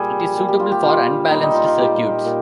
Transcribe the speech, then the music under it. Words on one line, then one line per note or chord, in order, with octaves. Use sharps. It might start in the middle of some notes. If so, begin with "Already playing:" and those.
It is suitable for unbalanced circuits.
Already playing: A#2 G3 G#4
A#2 G3
G4
F4
G4
A#2 G3 F4
A#2 G3 D#4
D#4
F4
F4
A#2 G3 G4
A#2